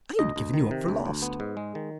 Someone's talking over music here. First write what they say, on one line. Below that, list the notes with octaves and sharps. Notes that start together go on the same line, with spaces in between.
I had given you up for lost.
D2 D#5
D2
D#3
C3
D2
D2
B3
G#2
G#3
D#3